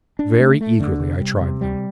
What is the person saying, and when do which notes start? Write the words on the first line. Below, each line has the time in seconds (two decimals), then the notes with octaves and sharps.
Very eagerly I tried them.
0.19 D4
0.40 A3
0.61 A3
0.80 D3
1.00 C3
1.20 G3
1.41 C3
1.61 G3